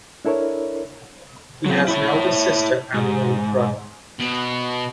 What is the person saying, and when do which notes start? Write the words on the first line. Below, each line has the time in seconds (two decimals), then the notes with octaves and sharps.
He has an elder sister and a younger brother.
0.25 D4 E4 A4 A#4 C#5
1.66 F#3 C4
1.88 E4 C#5
2.94 G#2
4.19 B2